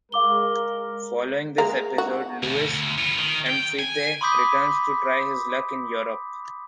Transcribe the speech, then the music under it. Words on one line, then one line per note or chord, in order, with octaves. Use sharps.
Following this episode, Louis M'Fédé returns to try his luck in Europe.
G#3 A#4 F5 D6 G7
G#3 A#3 A#4
F#4
D2 B2
D2
B3 F4
D#3
G5
G#5
B5 C6 D6 D#6 G6 B6